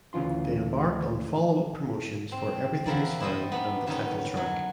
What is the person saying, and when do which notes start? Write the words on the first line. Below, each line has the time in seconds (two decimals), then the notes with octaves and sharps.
They embarked on followup promotions for "Everything Is Fine" and the title track.
0.13 D2 C#3 E3 F4 C6
2.32 C4
2.86 E2 F3 E4 A#4 D5
3.20 E4 A4 C5 D#5 G5
3.52 B3 D4 D#4
3.87 D3 D#3 B3 C#4 D#4
4.37 F#3